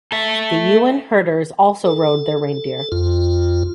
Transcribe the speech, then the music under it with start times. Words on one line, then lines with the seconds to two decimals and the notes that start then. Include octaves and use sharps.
The Ewen herders also rode their reindeer.
0.12 A4 E5
1.85 A4
2.92 F2 F4